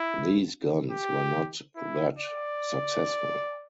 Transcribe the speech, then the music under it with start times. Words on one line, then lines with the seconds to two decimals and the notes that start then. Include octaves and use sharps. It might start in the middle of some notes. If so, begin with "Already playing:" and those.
These guns were not that successful.
Already playing: E4
0.91 G4
1.76 E4
2.19 D5